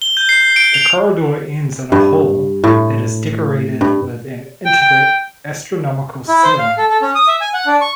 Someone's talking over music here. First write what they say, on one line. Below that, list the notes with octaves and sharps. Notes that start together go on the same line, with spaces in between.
The corridor ends in a hall that is decorated with an intricate astronomical ceiling.
G7
G6
C7
D7
F7
G2
A2
G2
G5
G5
E4
C5
F5
A4
A4
C#4
D#6
E5
G#5
F#5
D4
C#6